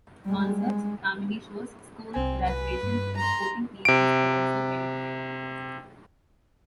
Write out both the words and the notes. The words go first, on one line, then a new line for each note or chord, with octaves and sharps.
Concerts, family shows, school graduations, and sporting events are also held there.
G3 G#3
G#3
C2 C4 G#5
B4
G2
A#5 C6
C3 D7